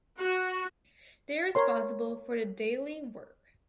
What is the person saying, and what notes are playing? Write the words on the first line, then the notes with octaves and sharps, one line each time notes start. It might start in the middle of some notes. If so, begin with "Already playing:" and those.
They are responsible for the daily work.
F#4
A#4 C#5 C6